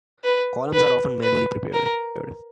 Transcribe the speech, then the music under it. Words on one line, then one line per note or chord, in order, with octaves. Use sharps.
Columns are often manually prepared.
B4
B4
B4
A#4